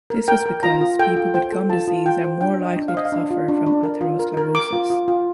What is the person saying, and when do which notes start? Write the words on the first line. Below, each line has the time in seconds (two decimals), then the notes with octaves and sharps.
This was because people with gum disease are more likely to suffer from atherosclerosis.
0.10 A#4
0.28 A#4 G5
0.46 A#4
0.63 F4 A#5
0.81 F4
0.99 A4 G5
1.16 F4
1.34 C5 G5
1.52 A4
1.70 F4 A5
1.88 F4
2.06 F4 G5
2.24 C5
2.41 D4 G5
2.59 D4
2.65 D#5
2.76 D4
2.88 F5
2.94 C5 D#5
3.05 F5
3.12 D4
3.31 F4
3.48 D4
3.66 D4
3.83 A#4
4.01 F4
4.19 A#4
4.37 A#4
4.55 A#4 D6
4.73 F4
4.90 F4
5.08 F4